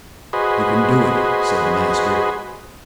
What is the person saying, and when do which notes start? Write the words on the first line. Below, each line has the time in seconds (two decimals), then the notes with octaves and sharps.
"You can do it," said the master.
0.33 F#4 G#4 B4 C5 D#5